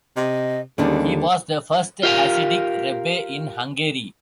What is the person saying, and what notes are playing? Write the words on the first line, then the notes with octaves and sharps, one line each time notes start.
He was the first Hasidic Rebbe in Hungary.
C3 D#5
D#2 D3 G3 G#3 C#4 D#4
F4 G4 A#4 F5